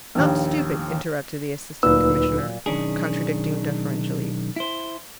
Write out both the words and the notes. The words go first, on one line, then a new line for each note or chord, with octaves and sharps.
"Not stupid," interrupted the Assistant Commissioner, contradicting deferentially.
A#1 D#2
D2 A#2 F#3 D#4 B4 E6
B1 D#3 C#4 D4 G#4
E4 C5